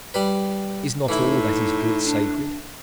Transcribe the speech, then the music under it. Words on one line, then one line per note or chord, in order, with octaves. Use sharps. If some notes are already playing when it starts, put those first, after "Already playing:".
Is not all that is good sacred?
G3 B4
A2 E3 D#4 E4
D4